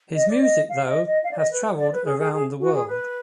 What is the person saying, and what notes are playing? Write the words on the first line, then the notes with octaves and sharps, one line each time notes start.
His music though has traveled around the world.
D#5
D5
D#5
F5
D#5
D#5
F5
D5
D#5
B4
D5
B4
G#4
G#4
G#4
F#4
G#4
B4